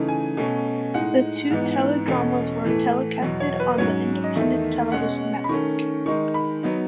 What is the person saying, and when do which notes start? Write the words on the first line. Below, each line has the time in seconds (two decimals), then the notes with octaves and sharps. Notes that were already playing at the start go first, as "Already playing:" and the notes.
The two teledramas were telecasted on the Independent Television Network.
Already playing: C#3 E3 A3 D#4
0.09 G#5
0.37 B2 A3 C#4
0.94 A2 G#3 D#4 F#5
1.50 G#2 E3 B3 D#4
2.07 E2 B2 A3 C#4
2.64 A2 E3 A3
3.22 E2 B2 F#3
3.40 C#5
3.60 B4
3.78 G#2 F#3 C#4 C#5
4.24 D#5
4.35 E2 D#3 A3 D#4 E5
4.92 B2 G#3 C#4 F#5
5.44 B5
5.49 D#3 A3 C#4 C#6
6.06 D#3 G#3 D#4 C#6
6.34 B5
6.63 F#3 B3 D#4